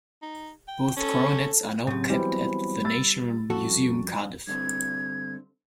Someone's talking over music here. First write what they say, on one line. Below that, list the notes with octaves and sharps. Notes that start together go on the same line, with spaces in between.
Both coronets are now kept at the National Museum Cardiff.
D#4
G5
C#4 A4
A2 C#3 F#3 C4 G4
E3 F#3 G3 B3 C4 B5
E6 A6
F2 G3 C#4 F#4 A4 C#6
G2 D3 C4 G#6